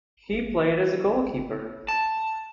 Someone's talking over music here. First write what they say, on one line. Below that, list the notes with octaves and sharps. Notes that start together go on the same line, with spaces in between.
He played as a goalkeeper.
A5